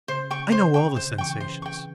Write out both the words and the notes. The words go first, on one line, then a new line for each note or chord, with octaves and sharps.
I know all the sensations.
C#3 C5
C#3 G5 C#6
C#3 C5
G5 C#6
C3 C5
C#3
E3 G5 C#6
C#3
C3 C5
G5 C#6